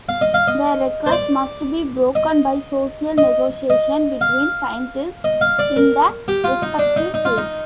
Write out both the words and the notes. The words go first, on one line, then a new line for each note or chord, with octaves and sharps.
The regress must be broken by "social negotiation" between scientists in the respective field.
F5
D#5
F5
D#5
C5
D5
D#5
D#5
D#5
F5
D#5
F5
D5
A#4
G4
F4
D#4
D4
D#4
D#4
F4
D#4